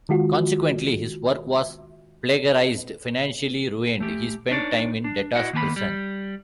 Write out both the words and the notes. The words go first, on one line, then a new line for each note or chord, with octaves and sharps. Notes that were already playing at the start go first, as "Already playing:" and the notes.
Consequently, his work was plagiarised; financially ruined, he spent time in debtors' prison.
D#3 G#3 F4 F#4
A3 G4
D4 D#4 C#5 D5
D4
E4 F#4 D#5 E5 F#5
D#3 A#3 B3 G#5 B5
G3